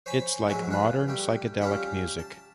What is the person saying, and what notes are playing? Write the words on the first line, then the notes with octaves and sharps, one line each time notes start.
It's like modern psychedelic music.
C5 C#5 G#5 B5 C#6
A#1 G#2 F#3 A3 E5 G#5
D4 F4 B4
G3 A3 G4
G3 C#4 F4 G4 E5
A5